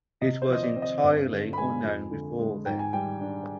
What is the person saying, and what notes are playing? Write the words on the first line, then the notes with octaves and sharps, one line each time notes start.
It was entirely unknown before then.
C3 D#5
C5
F3 D#5
D5
C4
D#5
G2
D3
B5
G#3 G#5
F2
D3
G#3
G#2 G5
G#5
G3 G5
D4